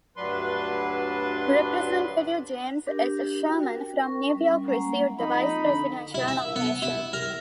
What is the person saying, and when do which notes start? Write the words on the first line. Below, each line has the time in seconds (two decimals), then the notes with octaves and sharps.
Representative James S. Sherman from New York received the vice-presidential nomination.
0.17 D2 G2 F#3 D4 B4 C6
2.87 D4 G4 A#4
3.45 F#4 G5
3.63 A#4
4.04 A#4 C#6
4.33 G3 C#4
4.68 G#3 A#3 C#4 F#5 A#5
5.19 F2 D#4 B5
5.65 D3
6.14 E4
6.28 E5
6.56 B3
6.82 E4
7.13 A#4